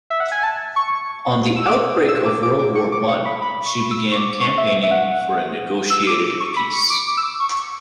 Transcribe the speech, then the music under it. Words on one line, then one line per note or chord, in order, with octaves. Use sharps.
On the outbreak of World War One, she began campaigning for a negotiated peace.
E5
F#5
G#5
A5
C#6
E6
D6
E6
D6
D6
D6
C#6
D6
C#6
B5
B5
C#6
E6
C#6
D6
C#6
E5
E5
F#5
E6
E6
D6
D6
C#6
B5
C#6
D6
D6
E6
D6
C#6
C#6